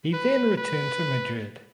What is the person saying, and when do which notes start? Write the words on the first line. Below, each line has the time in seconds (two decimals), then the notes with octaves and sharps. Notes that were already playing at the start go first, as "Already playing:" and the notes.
He then returned to Madrid.
0.13 B4
0.57 B4